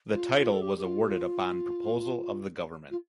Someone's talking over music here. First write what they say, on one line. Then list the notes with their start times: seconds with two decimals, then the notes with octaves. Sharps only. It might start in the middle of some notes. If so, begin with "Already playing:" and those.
The title was awarded upon proposal of the government.
0.10 D#4
0.15 F4
0.37 F4
0.52 A4
0.61 G4
0.77 G4
0.84 F4
1.01 G4
1.08 F4
2.90 F4